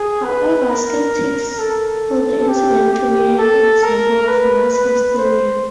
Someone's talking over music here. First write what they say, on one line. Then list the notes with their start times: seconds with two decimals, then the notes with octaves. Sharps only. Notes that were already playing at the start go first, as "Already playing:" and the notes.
However, skeptics hold the incident to be an example of mass hysteria.
Already playing: G#4
0.24 B4
0.69 A#4
1.58 A4
2.48 G4
2.93 G4
3.38 A4
3.83 A#4
4.27 B4
4.72 B4
5.17 C5